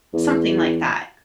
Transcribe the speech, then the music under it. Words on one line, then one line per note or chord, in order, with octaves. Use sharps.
Something like that.
E2